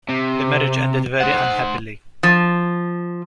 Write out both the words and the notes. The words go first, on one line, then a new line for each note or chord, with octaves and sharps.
The marriage ended very unhappily.
C3
C5 F#5
F3